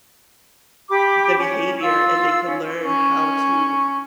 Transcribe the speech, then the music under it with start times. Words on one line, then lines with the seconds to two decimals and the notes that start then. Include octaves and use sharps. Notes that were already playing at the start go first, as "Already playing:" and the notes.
the behavior and they can learn how to
0.89 G4 B5 D6
1.39 C#4
1.81 F4 E6
2.47 C#4
2.84 C#4 C#6